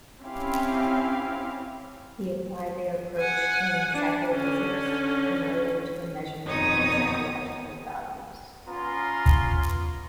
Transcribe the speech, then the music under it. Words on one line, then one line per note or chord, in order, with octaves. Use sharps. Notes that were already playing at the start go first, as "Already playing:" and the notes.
He applied the approach in psychophysics, and later to the measurement of psychological values.
C4 C#4 E4 G4 F5
F#5 G#5
D4
D3 C#4
F2 B2 D#4 C#5 D#6
B3 C#4 F4 A#5 C6